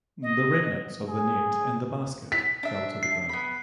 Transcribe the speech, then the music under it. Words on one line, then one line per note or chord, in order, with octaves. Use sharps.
The remnants of the net and the basket fell to the ground.
D#5
G#4
B6
D4 E5
C7
B3 B5